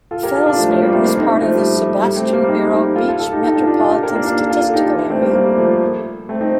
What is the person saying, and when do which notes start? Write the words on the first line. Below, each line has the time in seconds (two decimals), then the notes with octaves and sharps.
Fellsmere is part of the Sebastian-Vero Beach Metropolitan Statistical Area.
0.11 F4 A4
0.23 G4 A#4
0.35 F4 A4
0.46 D4 F4
0.59 F3 A3
0.70 F3 A3
0.82 G3 A#3
0.94 A3 C4
1.06 A#3 D4
1.17 C4 D#4
1.29 A3 C4
1.42 F3 A3
1.54 G3
1.77 F3
2.01 G3
2.16 A3 C4
2.32 G3 A#3
2.48 C4 D#4
2.72 D#4 G4
2.96 F4 A4
3.08 F4 A4
3.19 F4 A4
3.32 D#4 G4
3.43 D#4 G4
3.55 D4 F4
3.67 D4 F4
3.79 D4 F4
3.91 D#4 G4
4.03 G4 A#4
4.15 A#3 D4
4.26 D4 F4
4.38 F4 A4
4.50 F4 A4
4.62 F4 A4
4.74 D#4 G4
4.86 D4 F4
5.06 D4
5.10 A3 C4
5.22 G3 A#3
5.34 G3 A#3
5.57 F3 A3
6.29 A3 C4
6.41 C4 D#4